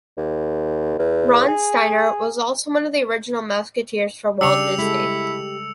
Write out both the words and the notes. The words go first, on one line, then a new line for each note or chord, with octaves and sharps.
Ron Steiner was also one of the original Mouseketeers for Walt Disney.
D#2
E2
G#4
C#3 G3 D4 G4 E6 C#7 F7
G#3 E4 A4